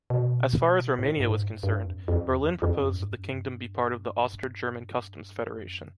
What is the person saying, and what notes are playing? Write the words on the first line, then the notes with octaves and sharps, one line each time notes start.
As far as Romania was concerned, Berlin proposed that the kingdom be part of the Austro-German customs federation.
B2
A2
G#2
G2
G2
F2
F#2
F2
E2
F2
F2
F#2
G#2
G2
F#2
G2
F#2